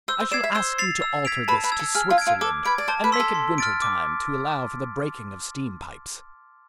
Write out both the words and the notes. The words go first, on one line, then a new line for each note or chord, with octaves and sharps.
I shall ask you to alter this to Switzerland and make it winter time to allow for the breaking of steam-pipes.
C5 E6
C5
D5 G#6 C7 E7
E5
C5 E6
A6 C7 F7
E6
G#6 B6 D7 F7
B4 A5
B4
E6 G#6
A4
G#4 F6
F4
G#6 D7
F4
A4 D6
B4 G#6 D7
D5
C5 A5
B4
C6 E6 B6
A4
C6
F6 A6 D7
D6